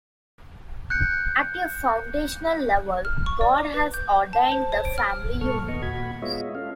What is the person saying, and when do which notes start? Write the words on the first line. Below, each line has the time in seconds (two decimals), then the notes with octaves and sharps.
At a foundational level, God has ordained the family unit.
0.90 F#6 G6 C#7
3.05 F6
3.26 C#6
3.41 D5
3.58 D6
3.74 B4
3.94 G6
4.33 A5
4.52 C5
4.72 C#5
4.85 D7
4.98 F6
5.41 G2 A#2 A4 C#6 F6
5.68 D#2 B3 D#5 C#6
5.82 A#2 F#4 B5 G#6
6.22 G#3 B3 F4 C#5 D#5 E5
6.55 C#4 F4 A4 F5